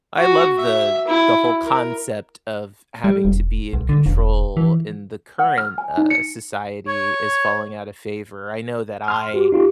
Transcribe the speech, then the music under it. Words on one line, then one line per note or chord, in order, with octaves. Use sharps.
I love the the whole concept of having to be in control in the current, uh, society is falling out of favor. I know that I
F#4
E5
E4
A#4
G3
E1
B1
D3
E1
E3
F#5
F6
G#5
D#4
C#7
C#5
C6 F6
F#4 G4
D#4 F4 G4